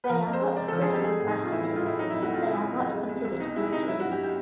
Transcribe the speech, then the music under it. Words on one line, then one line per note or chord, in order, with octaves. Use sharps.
They are not threatened by hunting as they are not considered good to eat.
B4
F3 A#4
F2
C5
G#3
C#3 D5
F3 A4
G#4
F2 G4
A3 G#4
A2
D#4
A2
F4
E3 E4
A3 E4
F4
A2 E4
F#3 D#4
F2 E4
F#4
A3 F4
C#3 E4
F#3
F2
G#3
C2
C2
B2 D#4
G#3 E4
C2 D#4
F#3 E4
G2 F#4
G4
G4